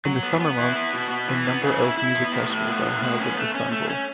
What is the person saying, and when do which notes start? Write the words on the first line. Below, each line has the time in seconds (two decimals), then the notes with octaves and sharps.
In the summer months, a number of music festivals are held in Istanbul.
0.05 F#3
0.23 B3
0.40 B3
0.58 E4
0.75 B3
0.93 B2
1.10 B3
1.28 E3
1.46 B3
1.62 C#3
1.80 E4
1.97 E4
2.15 B3
2.32 A2
2.49 A2
2.67 B3
2.85 A2
3.02 B3
3.20 C#4
3.37 A3
3.55 C#4
3.72 A3
3.89 C#4